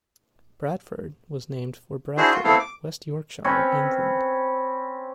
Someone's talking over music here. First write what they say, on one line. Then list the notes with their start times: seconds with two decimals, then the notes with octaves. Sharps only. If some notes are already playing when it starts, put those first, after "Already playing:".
Bradford was named for Bradford, West Yorkshire, England.
2.17 D4 E4 F#4 G#4 C5
2.31 F4 F#4
2.44 A3 B3 C4 E4 A4 F5
2.59 D6
3.44 C4 C#4 B4 C#5